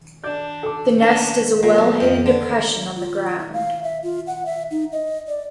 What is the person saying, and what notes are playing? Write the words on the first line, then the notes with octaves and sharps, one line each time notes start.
The nest is a well-hidden depression on the ground.
D4 D5 G6
A4 D6
C#4 D4
A#2
B1
F2
D3
F4
E4
F5
E5
F4
F#5
E5
D#4
D#5
D5